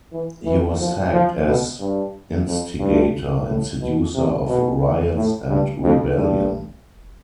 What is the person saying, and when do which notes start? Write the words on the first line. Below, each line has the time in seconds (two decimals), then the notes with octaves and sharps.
He was sacked as "instigator and seducer of riots and rebellion".
0.12 E3
0.45 E3
0.79 F3
1.13 F3
1.46 B2
1.80 G2
2.47 F2
2.80 G2
3.47 A2
3.80 B2
4.14 C3
4.48 B2
5.16 A2
5.49 G2
5.83 F2
6.16 G2